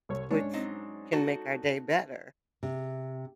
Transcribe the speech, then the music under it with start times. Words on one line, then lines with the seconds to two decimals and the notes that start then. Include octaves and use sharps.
which can make our day better,
0.09 C2 C#5
0.31 G#2 C#4 D4 C#5
0.53 F#3 C4 D#4
1.13 D#4 F#4 A4
2.63 C3